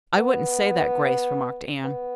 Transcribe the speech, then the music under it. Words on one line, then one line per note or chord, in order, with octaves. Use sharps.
"I wouldn't say that, Grace," remarked Anne.
B3
B3